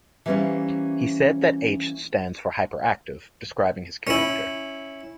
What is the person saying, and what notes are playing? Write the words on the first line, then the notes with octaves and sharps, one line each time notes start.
He has said that "H" stands for "hyperactive", describing his character.
E3 G3 A#3 C4 C#4 C5
C#4 E4